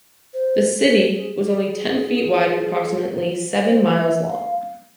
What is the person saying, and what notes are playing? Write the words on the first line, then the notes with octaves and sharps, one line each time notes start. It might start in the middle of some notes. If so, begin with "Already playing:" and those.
The "city" was only ten feet wide and approximately seven miles long.
C5
C5
G#4
G#4
C5
E5
F5